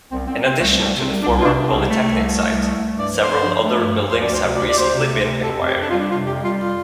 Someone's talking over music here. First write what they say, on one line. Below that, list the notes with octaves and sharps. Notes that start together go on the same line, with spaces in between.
In addition to the former Polytechnic site, several other buildings have recently been acquired.
C2 C4
C2 C4
C3 C4
C2 A3
C2 A3
C3
C4
C2
D4
C2
F4
C3 D4
C2
C4
C3
A3
C3
C2
A3
C2
A3
A3
G2
D5
F3
G2 C5
F3
A3
G2
F3
D2 C5
D2 D5
C5
C3
D5
D2
D5
D2 C5
C3
D2
C3
F2 A4
F2
G4
F2 D4
F4
G3
D4
C3 F4
F2 G4
G3 F4
F4